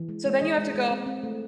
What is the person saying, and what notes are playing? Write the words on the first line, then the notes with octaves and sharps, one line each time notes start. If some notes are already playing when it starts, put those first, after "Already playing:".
So then you have to go
Already playing: E3
G#3
G#3
E3 D#5
G#3
G#3
C4
C4
A3